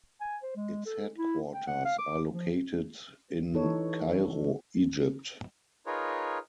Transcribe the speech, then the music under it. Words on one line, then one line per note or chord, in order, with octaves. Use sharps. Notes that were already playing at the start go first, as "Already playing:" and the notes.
Its headquarters are located in Cairo, Egypt.
G#5
C5
G#3
A4
E4
G5
F#5
F5
D6
F3
E3 D#4 A4 B4 C#5
D#4 F4 G#4 A#4 B4 C#5